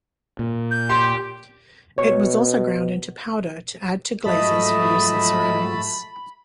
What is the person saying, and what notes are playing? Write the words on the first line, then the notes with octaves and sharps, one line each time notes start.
It was also ground into powder to add to glazes for use in ceramics.
A#2
G6
G4 C6
B2 C#5 C#6
G#2 F3 F#3 A3 D#5 A5 B5